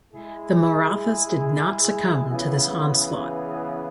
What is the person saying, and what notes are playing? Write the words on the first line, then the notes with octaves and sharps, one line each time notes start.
The Marathas did not succumb to this onslaught.
G#3 E4 G#4
C#3 E3 B3 G#4